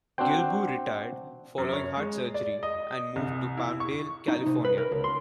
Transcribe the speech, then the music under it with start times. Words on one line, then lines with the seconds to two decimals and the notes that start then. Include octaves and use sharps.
Guilbeau retired following heart surgery and moved to Palmdale, California.
0.18 C4 D4 F#4 C5 G5
1.58 F#2
1.73 C#5
1.97 G#3
2.34 D5
2.63 D#5
3.16 C2
3.57 E4
3.80 C#6
4.28 D#4
4.46 C3
4.65 B4
4.78 A#4
4.92 C#2
5.04 C6